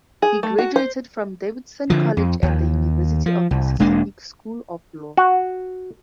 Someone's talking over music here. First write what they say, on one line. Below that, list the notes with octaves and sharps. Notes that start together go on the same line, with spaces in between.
He graduated from Davidson College and the University of Mississippi School of Law.
G#4
A3
F#4
C5
D3 F3
F2
D#2
F3
C2
E1 G#3 A#3 D4
F#4